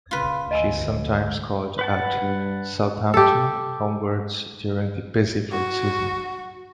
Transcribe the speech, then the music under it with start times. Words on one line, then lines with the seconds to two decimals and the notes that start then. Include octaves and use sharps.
She sometimes called at Southampton homewards during the busy fruit season.
0.11 A#2 C#3 F4 B4
0.51 D2 D#5 G#5 E6
1.79 B4 F#5 A5
2.22 G2
3.14 G4 A4
5.52 F#4